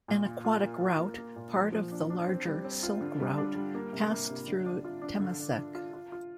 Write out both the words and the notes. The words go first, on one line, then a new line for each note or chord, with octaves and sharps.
An aquatic route, part of the larger Silk route, passed through Temasek.
A#2
F4
F4
A#3
F4
A#3
A#3
A#2
F3
F3
D4
D4
C4
G3
C4
F4
D3
G3
D4
G3
A#3
C3
A#3
C3
D3
D4
F4
D4
D3
D3
D3
F4
F4
F4